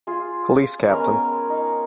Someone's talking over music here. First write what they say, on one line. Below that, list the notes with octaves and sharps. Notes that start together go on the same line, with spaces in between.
Police Capt.
F4 G#4
G#3 B3 C#4 A#4
D#4